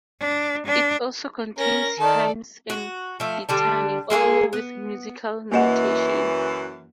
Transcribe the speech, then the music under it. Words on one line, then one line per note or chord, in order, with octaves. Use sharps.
It also contains hymns and a litany, all with musical notation.
D4
D4
C#4 A#4 A#6
D#3 A4 D5 A5
F#4
F3 A3
D3 G3 D4
G#3 A#3 G#4 A4
B3
F#2 E3 A#3 D#5 F#5